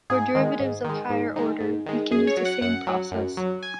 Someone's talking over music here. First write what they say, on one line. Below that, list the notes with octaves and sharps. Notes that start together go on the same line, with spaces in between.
For derivatives of higher order, we can use the same process.
G#2 G#4
D#3 G#3
G#2
D#3 G#3
G#2
D#3 G#3
G#2
D#3 G#3
F#2 G#4
C#5
F#3
F#5
F#2 F#5
F#3
F#2
F#3
G#5